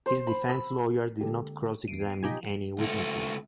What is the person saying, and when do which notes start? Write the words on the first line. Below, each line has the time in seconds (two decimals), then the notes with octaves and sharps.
His defense lawyer did not cross-examine any witnesses.
0.06 C5
0.27 B5
0.49 E6
1.21 D3 G#3 A#3 G4 A4
1.88 E2 A3 C7 D7 D#7
2.06 B3
2.23 B2 D#4 F4 G4 G#5
2.79 C#2 A3